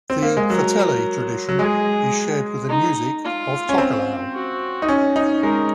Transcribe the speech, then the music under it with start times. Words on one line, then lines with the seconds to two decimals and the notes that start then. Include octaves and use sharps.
The "fatele" tradition is shared with the music of Tokelau.
0.10 C4
0.22 A#3
0.37 G#3
0.50 F#3 A#4
1.49 F#3
1.59 G#3 G#4
2.69 D#4
3.24 F4
3.69 C#4
3.78 C4
4.33 F#4
4.82 D#4
4.88 C#4
5.16 D#4
5.42 G#3 A#4